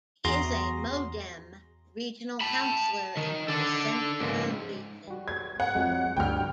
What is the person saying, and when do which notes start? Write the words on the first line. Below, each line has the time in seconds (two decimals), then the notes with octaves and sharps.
He is a MoDem regional councillor in the Centre region.
0.25 E2 F#4 G#4 A#5 C6 A#6
2.41 A5 B5
3.17 D#3
3.48 D4 A4
4.20 C#2 G#2
5.07 G3 F#4
5.28 G#6
5.60 F#5
5.75 F2 F#3 G#3
6.17 D2 G2 G3 G5 F6